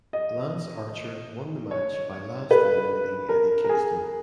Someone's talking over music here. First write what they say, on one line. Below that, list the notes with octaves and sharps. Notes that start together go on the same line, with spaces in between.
Lance Archer won the match by last eliminating Eddie Kingston.
D#5
C#5
B4
A#4
A#4
G#4